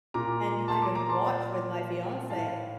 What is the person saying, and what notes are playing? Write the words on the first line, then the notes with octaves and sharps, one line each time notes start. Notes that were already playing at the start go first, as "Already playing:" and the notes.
and kind of watch with my fiance
A#2 A#5 D6
A5 C6
A#5 D6
A#5 D6
A5 C6
D5
A2 F5 A5